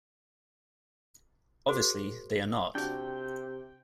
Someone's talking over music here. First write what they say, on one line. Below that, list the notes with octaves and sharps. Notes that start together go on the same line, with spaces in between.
Obviously, they are not.
F#4 G#4 A#4 C5
C3 D4 F#4 G5